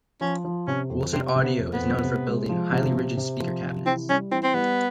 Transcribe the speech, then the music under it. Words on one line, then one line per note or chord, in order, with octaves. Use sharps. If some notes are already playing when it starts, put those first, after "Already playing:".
Wilson Audio is known for building highly rigid speaker cabinets.
F3 C#4
F3
C3 C#4
F2
C3 C4
C3
B3
F2
B3
F2
C3
G#3
F3
C3
C3
C3
F3
C3
E3 C4
G3 C#4
E3 C4
C4
G3 B3